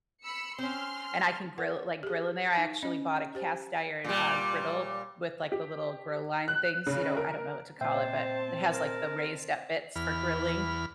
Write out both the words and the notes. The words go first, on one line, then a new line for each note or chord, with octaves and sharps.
and I can grill like, grill in there. I actually bought a cast iron, uh, griddle with, like, the little grill line things, you know? I don't know what to call it, but it has, like, the raised up bits for grilling,
B5 E6 C#7
C4 C#4 C6 F6
A#4 F#5
G4 G#4
D#4 B5
C#4 D#5
G4 C5
A#2 G3
G4
F#6
C#3
A#4
A#2 C4 C5 E5 G5 A5
A#4
E2 B5 F6